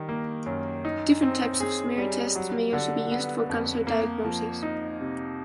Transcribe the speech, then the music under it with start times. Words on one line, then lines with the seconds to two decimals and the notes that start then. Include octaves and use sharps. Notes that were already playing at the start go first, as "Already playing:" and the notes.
Different types of smear tests may also be used for cancer diagnosis.
Already playing: D#3 G3
0.09 A#3
0.46 F#2
0.85 D#4
1.22 C4
1.60 G#4
1.98 G3
2.35 F#3
2.73 D3
3.12 B3
3.50 F2
3.87 A#3
4.24 F3
4.63 D#4
5.01 C3